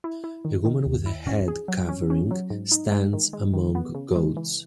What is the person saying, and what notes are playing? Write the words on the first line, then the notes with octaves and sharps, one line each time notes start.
A woman with a head covering stands among goats.
E4
E4
D#3
D#3
D#2
E4
C#4
G#4
F#3
C#4
C#4
F#3
G#2
D#4
G#3
D#3
G#3
D#3
B3
C#3
G#3
E3